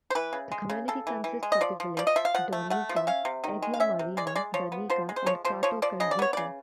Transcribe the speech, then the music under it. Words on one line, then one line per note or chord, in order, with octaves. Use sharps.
The community consists of the villages Douneika, Agia Marina, Danika and Kato Kertezeika.
C5
E3 B4
C#3
G#3
C#3
C#3 A4
E3
E3
G#3
D#5
F3 D5
F3
F3 D5
D#5
F3 E5
F5
F3 F#5
A3
A3 F#5
F3
E5
C#4 F5
C3
D#3
G#3
F5
C#4 E5
C3
G#3 D5
C#5
G#3 D5
F3 C#5
B3
F3 C5
G#3
C5
F3 C#5
F3 C5
F3 C#5
F3 D5
C#3 D#5
D5
B3 C#5
C#3 D5